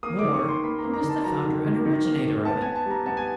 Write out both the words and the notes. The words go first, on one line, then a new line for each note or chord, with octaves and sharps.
More, he was the founder and originator of it.
A#3 D#6
D#3 D6
C#6
D#3 C6
A#3 B5
A#5
A#3
A#5
D#3
A5
F#3 A#5
D#3
D#3
D#3
A#3
D#3
B3 A5
B3 G#5
A5
G3 A#5
B3 A5
G#5